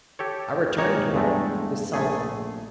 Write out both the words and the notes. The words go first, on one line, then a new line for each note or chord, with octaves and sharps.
I returned to it--the Sultan.
G4 A4 C#5
G#1 C#3 A#3 D#4 C#5 G5
E2 G2 G#3 A3
A#1 A3 G#4